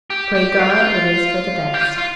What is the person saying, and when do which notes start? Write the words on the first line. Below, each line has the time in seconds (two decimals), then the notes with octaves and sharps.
"Pray God it is for the best."
0.10 G4
0.35 G4
0.59 F4
0.70 G4
0.80 F4
1.74 G4
1.81 F4
1.98 F4